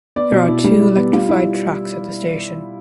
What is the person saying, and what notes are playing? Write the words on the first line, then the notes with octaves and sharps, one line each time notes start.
There are two electrified tracks at the station.
B3 D5
B2
E4
G3
E4
B3
G3 F4
E4